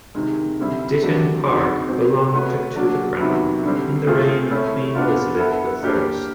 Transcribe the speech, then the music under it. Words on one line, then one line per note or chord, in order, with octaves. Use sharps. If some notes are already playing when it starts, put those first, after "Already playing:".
Ditton Park belonged to the crown in the reign of Queen Elizabeth the First.
C3 D#3 G#3
D3 G3 C4 E4
D3 F#3 A3 D4 G4
C4 D#4 F#4
B2 G#3 C4
A3 C#4 F#4 B4
F#3 A#3 D4 F#4
C3 D#3 F#3 B3 E4
D3 G3 C4
A3 C4 F4 G#4
A3 C#4 E4
B3 D4 F4
B3 E4 A4
A#3 D4 G4